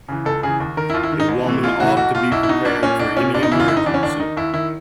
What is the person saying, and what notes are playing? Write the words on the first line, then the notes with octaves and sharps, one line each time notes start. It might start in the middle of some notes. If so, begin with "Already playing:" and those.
A woman ought to be prepared for any emergency.
C#3 E3
C#2 A4
C#3 E3 G#4
D#2
D#3 A#4
E4
D#2 F4
E4
D#3
D#4
A1
A2 E3
A1 F4
A2 E3 F#4
B1 F#4
B2 F4
B1 E4
E4
B2 D#4
B1 D4
A#2 C#4
B1 D4
A#2 C#4
F#1 D4
D#4
E2 C#3 E3 E4
F4
F#1 E4
D#4
E2 C#3 E3 D4
C#4
D#2 D4
D#3 D#4
D#2 E4
D#3 E4